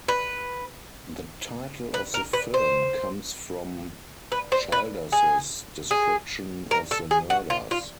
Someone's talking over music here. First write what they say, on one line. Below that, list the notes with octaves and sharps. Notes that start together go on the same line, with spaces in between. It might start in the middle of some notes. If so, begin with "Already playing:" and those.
The title of the film comes from Childers's description of the murders.
B4
B4
A#4
B4
C5
B4
C5
B4
G#4
G#4
A#4
A4
G#4
F#4
F4
F4